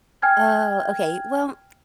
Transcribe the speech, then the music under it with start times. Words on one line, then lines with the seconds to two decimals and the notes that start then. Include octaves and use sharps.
Oh, okay. Well,
0.22 G5 G#5 F6 G#6